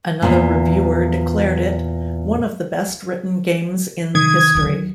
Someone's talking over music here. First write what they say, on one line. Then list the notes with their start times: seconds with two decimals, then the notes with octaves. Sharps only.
Another reviewer declared it "one of the best written games in history".
0.22 E2 A#2
4.15 C3 D#3 D#6 G#6
4.54 D#2 F#3